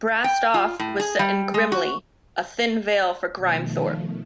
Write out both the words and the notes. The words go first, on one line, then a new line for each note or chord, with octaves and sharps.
"Brassed Off" was set in "Grimley", a thin veil for Grimethorpe.
G5
F4
A2
G#4
G3
G#3
F#4
B2 D#3 F3 A3